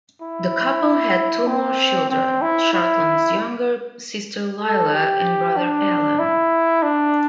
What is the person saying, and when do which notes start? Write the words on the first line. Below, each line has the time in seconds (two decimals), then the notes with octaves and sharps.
The couple had two more children Charlton's younger sister Lilla and brother Alan.
0.22 E4
1.47 C4
2.10 C4
2.42 E4
2.73 E4
4.62 A4
4.94 G4
5.56 D4
6.19 E4
6.83 D4